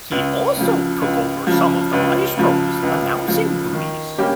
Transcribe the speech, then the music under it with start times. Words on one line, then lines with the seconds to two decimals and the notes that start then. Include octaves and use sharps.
He also took over some of the maestro's announcing duties.
0.11 C#2
0.57 C#3 F3
1.01 C#2
1.47 C#3 F3
1.93 C#2
2.37 C#3 F3
2.83 C#2
3.28 C#3 F3
3.73 D#3
4.18 G3 A#3 C#4 G4